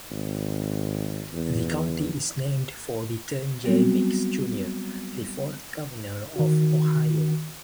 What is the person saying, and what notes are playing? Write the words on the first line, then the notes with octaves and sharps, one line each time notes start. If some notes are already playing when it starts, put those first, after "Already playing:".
The county is named for Return J. Meigs, Junior the fourth Governor of Ohio.
G#1
E2
F#3 G3 B3 C4 F#4
D#3 F#4